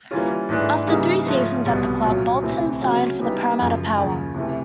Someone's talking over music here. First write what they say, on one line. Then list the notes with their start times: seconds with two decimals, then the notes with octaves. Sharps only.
After three seasons at the club, Bolton signed for the Parramatta Power.
0.11 E3 G3 A#3 C#4 F4
0.49 G#2 E3 A3 D4
0.87 C#3 E3 G3 A#3 D#4
1.26 G#2 F3 A3 C#4
1.65 C2 B2 G3 B3
2.04 A#2 F#3 A3 C#4
2.42 D2 C3 E3 A3 C4
2.80 C#3 F#3 A3 C#4 F#4
3.19 E3 G3 B3 D#4 G4
3.58 F#2 C#3 F3
3.97 D#2 C#3 F3
4.35 C3 E3 A3